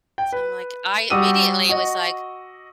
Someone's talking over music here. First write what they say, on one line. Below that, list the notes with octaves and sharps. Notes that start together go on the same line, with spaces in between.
so I'm like I immediately was like,
G5
B4
G3 F#4 G4 D#6 E6 D#7
F#4 D#5